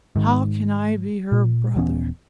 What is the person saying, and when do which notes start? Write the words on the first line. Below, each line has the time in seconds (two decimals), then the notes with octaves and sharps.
How can I be her brother?
0.16 G#2 D#3
1.32 A#2
1.76 D#1 E3 B3 C#4